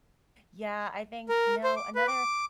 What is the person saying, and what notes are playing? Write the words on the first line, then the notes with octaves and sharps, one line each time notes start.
Yeah, I think no, another
A#4
C5
D6
B4
D6